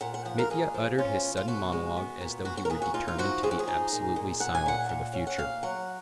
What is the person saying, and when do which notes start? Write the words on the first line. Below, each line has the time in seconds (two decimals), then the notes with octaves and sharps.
Mitya uttered his sudden monologue as though he were determined to be absolutely silent for the future.
0.01 A#2 F#5
0.14 F#5
0.25 F3 F#5
0.38 A#4
0.50 A#2 G#4
0.74 F3
0.98 C#4 F4
1.23 B2
1.37 F4
1.48 B2 F#4
1.72 G#3
1.97 B3
2.21 A#2
2.45 A#2 F#4
2.57 F#4
2.65 A#4
2.70 A#2 G#4
2.82 F#4
2.94 D#4 F4
3.08 F4
3.18 F3 F#4
3.43 F3 G#4
3.51 F#4
3.59 G#4
3.68 D#4
3.92 A#2
4.16 A#2
4.40 A#2 F#5
4.55 G#5
4.66 A#2 F#5
4.89 A#2
5.13 C#4
5.27 F#5
5.38 A#2 F5
5.63 F#3 F#5